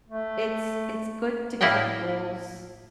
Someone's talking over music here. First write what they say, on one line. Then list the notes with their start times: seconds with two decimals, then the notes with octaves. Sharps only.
It's it's good to keep goals
0.09 A3
1.61 A2 A#3 E4 D5 D#5 G5